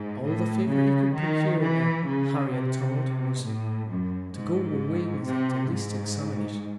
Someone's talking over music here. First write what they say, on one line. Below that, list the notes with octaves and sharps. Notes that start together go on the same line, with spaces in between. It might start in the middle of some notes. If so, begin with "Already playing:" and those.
All the Favour he could procure, in their Hurry and Tumult, was, to go away without the least Examination.
Already playing: G#2
A2
C#3
D#3
E3
C#3
C3
A2
F#2
G#2
C3
G#2